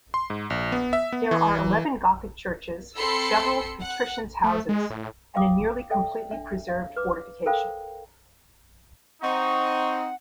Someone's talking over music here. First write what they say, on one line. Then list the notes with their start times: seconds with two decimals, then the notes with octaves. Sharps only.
There are eleven Gothic churches, several patricians' houses and a nearly completely preserved fortification.
0.14 C6
0.30 G#2
0.50 A#1
0.72 B3
0.93 E5
1.12 B3
1.31 E3
1.59 E3
2.96 C4 A4 B5 C6 E6 C#7
3.81 F#5 F#6
4.44 A3
4.69 G#3
4.90 A2
5.35 F5 G5 D6 D#6
5.90 A4 D5 E5 G5
6.31 D4 E5
6.68 F5
6.96 B4 D6
7.46 A4 A#4 C5 F5 G5 B5
9.22 C4 D#4 F#5 C#6